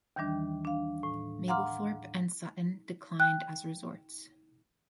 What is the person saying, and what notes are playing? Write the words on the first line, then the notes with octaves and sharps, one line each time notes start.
Mablethorpe and Sutton declined as resorts.
D#2 D#3 E3 G3 D4
D4 F5
A2
F5 F#5 A#5 C6 D6 F6
G5 F#6